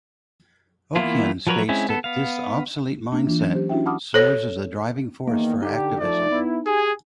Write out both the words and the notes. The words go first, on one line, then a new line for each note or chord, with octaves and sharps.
Ochieng states that this obsolete mindset serves as the driving force for her activism.
E3 A#3 B3 E4 F4
F3 F#3 A#4 B4 C#5
G#3 C4 C#4 E4
B3 A4
B3 F5
A#3 D4
E3 D4 F4
F#3 C#4
G4 C5
C#4 D4 E4 F#4 E5 G5
F#5 A5 B5 D6 D#6 F6
A4 C5 C#5
E2 D#3 A#3
D3 D#4 G4
F3 A3 D5
B3 E4
G4 G#4 G#5